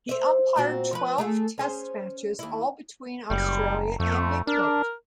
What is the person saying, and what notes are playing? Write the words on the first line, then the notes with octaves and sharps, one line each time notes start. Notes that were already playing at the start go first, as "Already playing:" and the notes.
He umpired twelve Test matches, all between Australia and England.
C5 E5
A#2 C4 F#4
F3 B4
A3 G#4 A4
C#4 G#4 C5
D#2 E4
F#1 G3
F2 A3
D4 A#4